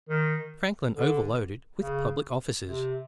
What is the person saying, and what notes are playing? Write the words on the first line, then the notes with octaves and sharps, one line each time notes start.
Franklin overloaded with public Offices.
D#3
D3
C#3
C3